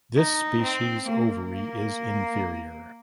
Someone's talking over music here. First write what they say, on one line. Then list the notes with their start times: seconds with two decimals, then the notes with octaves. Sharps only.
This species ovary is inferior.
0.17 D#4
0.62 C4
1.08 A#3
1.54 A#3